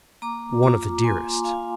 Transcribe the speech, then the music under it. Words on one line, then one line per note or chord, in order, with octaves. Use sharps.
One of the dearest.
A#3 A#5 D6
F4 A#5 D6
A#3 G#5 C6
F4 F5 G#5